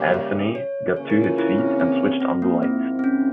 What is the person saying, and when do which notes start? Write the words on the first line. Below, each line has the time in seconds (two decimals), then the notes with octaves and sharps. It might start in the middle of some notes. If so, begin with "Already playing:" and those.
Anthony got to his feet and switched on the lights.
Already playing: C#3 G3 A#3 C#4 G4
0.14 E5
0.55 C#5
0.96 C#3 E3 A#3 C#4 C#5
1.10 A#4
1.24 F4
1.38 E4
1.58 C4
1.80 C4
2.20 C4
2.42 A#3
2.63 G#2 F3 A#3 C4 E4
2.99 C4
3.04 C#4